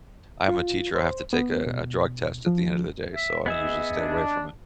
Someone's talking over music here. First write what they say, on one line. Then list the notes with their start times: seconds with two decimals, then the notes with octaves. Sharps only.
I'm a teacher. I have to take a a drug test at the end of the day, so I usually stay away from it.
0.48 F4
0.95 C5
1.33 B3
1.66 B2
2.47 F3
3.14 E5
3.46 B3 G#4 D#5 E5
3.96 D4